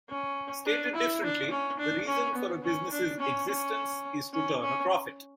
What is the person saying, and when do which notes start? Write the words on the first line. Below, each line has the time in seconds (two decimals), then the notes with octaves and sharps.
Stated differently, the reason for a business's existence is to turn a profit.
0.09 C#4
0.66 D4
0.95 E4
1.23 D4
1.50 C#4
1.79 D4
2.07 C#4
2.35 B3
2.64 C#4
2.92 D4
3.20 C#4
3.48 C#4
4.33 C#4
4.61 C#4